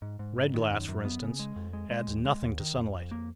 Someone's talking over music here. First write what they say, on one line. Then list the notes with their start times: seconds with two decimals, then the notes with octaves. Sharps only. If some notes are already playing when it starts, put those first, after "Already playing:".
Red glass for instance adds nothing to sunlight.
0.02 G#2
0.19 G#2
0.37 G#2
0.54 D#3
0.70 F#2
0.88 F#2
1.05 B3
1.23 C#3
1.39 G#3
1.56 F2
1.73 G#3
1.91 G#3
2.08 D#2
2.25 G#3
2.42 D#2
2.60 D#3
2.77 F2
2.94 F2
3.11 A#3